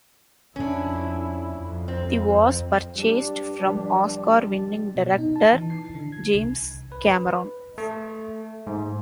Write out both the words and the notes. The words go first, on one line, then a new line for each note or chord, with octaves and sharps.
The was purchased from Oscar-winning director James Cameron.
F2 C#4 D4 E4
F2
C4
G3 D4 G4
F1 G3
A5
B2
D#4
A5
E3
C7
D3
G#6
C2
B4
A3
G#2